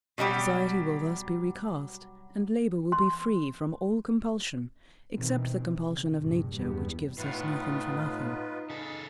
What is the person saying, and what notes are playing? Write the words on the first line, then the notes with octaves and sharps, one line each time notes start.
Society will thus be recast, and labour will be free from all compulsion except the compulsion of Nature, which gives us nothing for nothing.
B2 F#3 G3 G4
C6
B2 D#3 E3 C4
C#3
A#1 G2 C3
E2 G2 G3 B3
A2 B3 D#4 F4 B4
C#3 A4